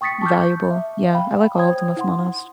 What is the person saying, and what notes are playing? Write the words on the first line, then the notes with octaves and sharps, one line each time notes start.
valuable. Yeah, I like all of them, if I'm honest.
G5 C#6 D#6 A6 B6 C#7
A5 C#6 D6 F6 G6
E5
F5 G5 B5
C5 C#5 G5 D#6 G#6
E4 F#5 C6